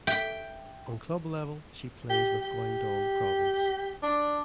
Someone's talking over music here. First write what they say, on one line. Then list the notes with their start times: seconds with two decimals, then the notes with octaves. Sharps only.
On club level she plays with Guangdong Province.
0.07 E5 G5 B6
2.10 G4
2.41 G4
4.02 D4